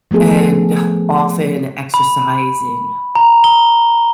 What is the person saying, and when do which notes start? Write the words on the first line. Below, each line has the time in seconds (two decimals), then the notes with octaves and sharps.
and often exercise in,
0.11 F3 A3 B3 G#4 A4
1.94 B5
3.15 A#5
3.44 G7